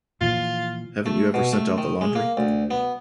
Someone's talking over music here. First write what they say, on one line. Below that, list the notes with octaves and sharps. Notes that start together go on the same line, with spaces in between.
Haven't you ever sent out the laundry?
A#2 E3 F3 F4
A3
B2
A3
D#3
G#3
A#3
D2
B3